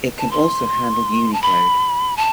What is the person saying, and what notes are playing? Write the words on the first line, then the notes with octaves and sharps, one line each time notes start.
It can also handle Unicode.
A5
C6
A5
B5
A5